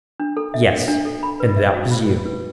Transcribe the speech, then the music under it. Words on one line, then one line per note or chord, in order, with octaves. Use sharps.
"Yes; and that was you!"
D4
A4
E5
D4
D4
A4
B5
B4
E5
F#4
B5
B4
B4